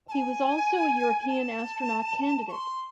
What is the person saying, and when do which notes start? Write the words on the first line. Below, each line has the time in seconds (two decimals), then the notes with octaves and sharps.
He was also a European astronaut candidate.
0.08 A5
0.12 G#5
1.28 A5
2.48 C#6
2.52 C6